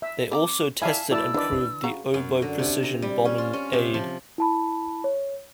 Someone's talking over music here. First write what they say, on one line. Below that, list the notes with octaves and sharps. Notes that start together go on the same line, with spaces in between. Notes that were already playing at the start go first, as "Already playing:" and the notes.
They also tested and proved the Oboe precision bombing aid.
E5
C4 G#5 A#5 D6
E4 D5 E5 F5 G#5 A5
F#3 A3 E4 D5 A5 E6
D#3 E3 D4 B4 D5
C#3 F#4 A#5
F#2
D3
C3
A#5
G3
C#4
F4
C#4
C3
F3
E4 A5 B5
C#5